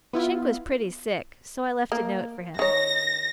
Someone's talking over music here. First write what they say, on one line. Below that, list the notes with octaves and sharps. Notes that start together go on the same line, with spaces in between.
Schenk was pretty sick, so I left a note for him.
B3 E4 F4
A#3
D#3 C#5 A#6